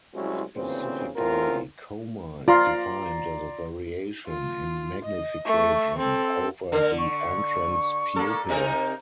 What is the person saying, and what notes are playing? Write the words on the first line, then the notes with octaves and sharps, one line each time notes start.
Specifically, coma is defined as a variation in magnification over the entrance pupil.
C2 F#3 G#3 C#4 E4 F#4
D2 A#2 C#3 E3 C4 C5
E2 A2 C4 F4 A#4
F4 D5 A#5 C6
F4
D#5
A3 C#6
C4 A4
D3 A#4
C#6
A#3 A4
C3 D#4 A#4